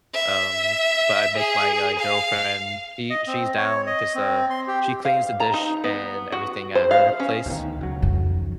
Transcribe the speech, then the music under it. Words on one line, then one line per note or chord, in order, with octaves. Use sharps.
um but I make my, uh, girlfriend, he she's down 'cause, uh, she cleans the dish and everything at her place.
E5
G#4
F5
D#5
C4
C#5
D#5
C4
C6
G4
F5
A#5
D#4
B3
F#4
C5
F5
C#4
D2 B2 D#3
C#2 F#3
F2 D#3